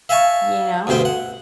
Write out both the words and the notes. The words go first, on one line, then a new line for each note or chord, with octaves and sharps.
You know?
E5 F5 G#5 A5 C#6
D2 G2 B2 C5 G5
F#5